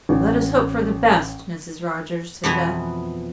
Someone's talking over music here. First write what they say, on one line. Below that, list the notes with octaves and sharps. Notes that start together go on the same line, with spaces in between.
"Let us hope for the best, Mrs. Rogers," said Beth.
A1
F2 B2 E3 B3 G#5 A#5